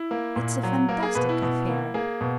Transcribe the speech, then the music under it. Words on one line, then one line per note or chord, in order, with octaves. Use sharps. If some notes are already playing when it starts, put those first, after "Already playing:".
It's a fantastic affair.
Already playing: E4
A#3
A#2
F#3
A#3 A#4
G#4
B2 B4
E4
B2
A#3
A#3 G#4
B2